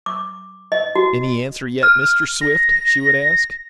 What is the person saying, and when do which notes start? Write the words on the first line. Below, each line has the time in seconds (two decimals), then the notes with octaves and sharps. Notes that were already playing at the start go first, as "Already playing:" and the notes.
"Any answer yet, Mr. Swift?" she would ask.
0.06 D6
0.72 D#5
0.95 F#4
1.83 F6
2.41 A#6